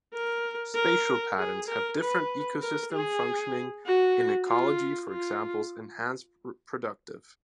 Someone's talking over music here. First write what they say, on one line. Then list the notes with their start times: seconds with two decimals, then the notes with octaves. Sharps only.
Spatial patterns have different ecosystem functioning in ecology for examples enhanced productive.
0.14 A#4
0.75 A#4
1.38 G#4
1.68 A#4
2.00 B4
2.61 A#4
2.92 G#4
3.86 F#4
4.48 F4
5.09 F4